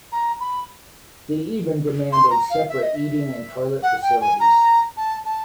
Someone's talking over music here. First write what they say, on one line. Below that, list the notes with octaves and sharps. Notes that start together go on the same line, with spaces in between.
They even demanded separate eating and toilet facilities.
A#5
B5
C6
A#5
F5
E5
D#5
E5
F#5
G5
G#5
A#5
A5
A5